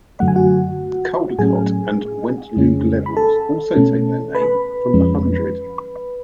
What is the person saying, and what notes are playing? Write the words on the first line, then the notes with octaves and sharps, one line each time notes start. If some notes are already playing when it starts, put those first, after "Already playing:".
The Caldicot and Wentloog Levels also take their name from the hundred.
F#2 D3 F#3 A3 F#5
G#5
F#4 F#5
A2 F#3 A3 C#4 G#4 G#5
F2 C#3 G#3 C#4
B5
A4 A5
B2 A3 C#4
B4 B5
F2 F3 G#3 C#4